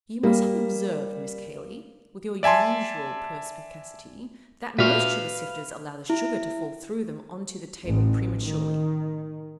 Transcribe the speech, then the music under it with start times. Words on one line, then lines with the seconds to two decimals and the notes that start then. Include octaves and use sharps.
You must have observed, Miss Cayley--with your usual perspicacity--that most sugar-sifters allow the sugar to fall through them on to the table prematurely.'
0.23 G3 A#3
2.43 D5 E5 G#5 A5 C6
4.79 A#2 F#4 G4 B4 E5 F5
6.10 E4
7.86 A1
8.41 D#3